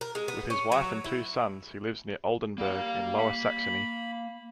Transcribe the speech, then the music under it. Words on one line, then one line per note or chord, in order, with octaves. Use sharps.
With his wife and two sons he lives near Oldenburg in Lower Saxony.
A#4
G#3
B3
C#4
F#3
E4
G3 A#3 F5
B5